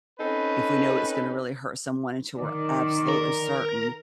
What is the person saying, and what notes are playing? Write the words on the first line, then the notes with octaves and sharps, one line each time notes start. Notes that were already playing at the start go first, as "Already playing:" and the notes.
if we know it's gonna really hurt someone until we're absolutely certain
C4 C#4 D#4 A4 B4
D#3 D5
A#4